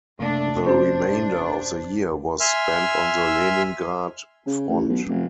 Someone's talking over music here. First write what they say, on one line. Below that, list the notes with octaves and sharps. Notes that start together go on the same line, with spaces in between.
The remainder of the year was spent on the Leningrad front.
F#1 C3 A3 A#3 D4
C#4 D4 F#4 C5
E5 G#5 C6 E6 F6
C#3
A1
B1
F1